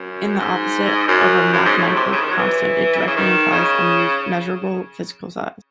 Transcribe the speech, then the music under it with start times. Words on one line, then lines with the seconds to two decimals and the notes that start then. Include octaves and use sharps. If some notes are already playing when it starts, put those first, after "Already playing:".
In the opposite of a mathematical constant, it directly implies a measurable physical size.
Already playing: F#2
0.39 G#2
1.08 F#2
1.53 F#2
1.65 G#2
1.79 A2
1.95 C3
2.12 C#3
2.22 D#3
2.31 F#3
2.38 E3
3.07 C#3
3.17 D#3
3.52 C#3